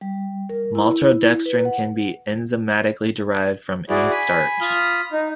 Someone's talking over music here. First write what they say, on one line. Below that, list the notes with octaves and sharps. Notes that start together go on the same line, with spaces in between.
Maltodextrin can be enzymatically derived from any starch.
G3
A#4
E4
B4
F#5
E4 F#4 G#4 D5
G#5 B5
F4 B5 D#6 F6
D#4